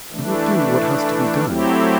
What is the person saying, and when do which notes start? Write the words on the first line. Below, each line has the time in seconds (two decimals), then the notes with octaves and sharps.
"I will do what has to be done."
0.11 E3 A3 D4
1.46 F#3 A3 C4 E4 G4